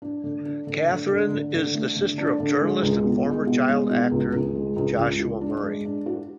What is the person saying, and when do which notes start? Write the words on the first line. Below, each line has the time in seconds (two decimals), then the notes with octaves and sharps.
Katharine is the sister of journalist and former child actor Joshua Murray.
0.02 D4
0.24 D3
0.45 D4
0.67 D3
0.88 D3
1.10 D3
1.31 D3
1.54 D3
1.75 A3
1.96 D3
2.18 D4
2.40 D3
2.61 G#3
2.82 C#2
3.04 B2
3.26 G#3
3.47 B2
3.69 G#3
3.90 B2
4.11 C#2
4.33 C#2
4.55 G#3
4.76 C#2
4.98 C#2
5.19 F#4
5.41 D4
5.63 G#3
5.85 D4
6.06 F#4